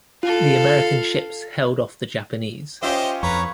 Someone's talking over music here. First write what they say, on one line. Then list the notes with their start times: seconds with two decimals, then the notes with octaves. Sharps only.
The American ships held off the Japanese.
0.23 F4 A4 F5
2.83 C#4 F4 G4 C5 D#5 E5
3.23 F2 B4 C#5 A#5